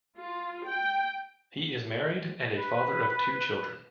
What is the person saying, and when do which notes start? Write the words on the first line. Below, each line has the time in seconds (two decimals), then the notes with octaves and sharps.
He is married and a father of two children.
0.17 F4
0.67 G5
2.55 B4